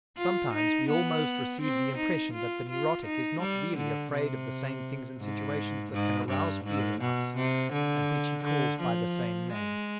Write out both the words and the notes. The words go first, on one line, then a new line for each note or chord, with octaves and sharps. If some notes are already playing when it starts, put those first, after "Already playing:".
Sometimes we almost receive the impression that the neurotic is not really afraid of the same things and situations that can arouse fear in us, and which he calls by the same name.
F4
D#4
B3
C4
D#4
F4
F4
D#4
G3
D3
C3
G#2
G#2
G2
G#2
B2
C3
D3
D3
F3
G#3